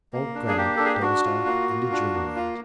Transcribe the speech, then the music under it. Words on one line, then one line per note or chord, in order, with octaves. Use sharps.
Old Grammont dozed off into dreamland.
A#3
D4
G#4
A#3 G4
D4 A4
G#4
G4
D4 F#4
F4
A#3
F4
D4
A#3
F4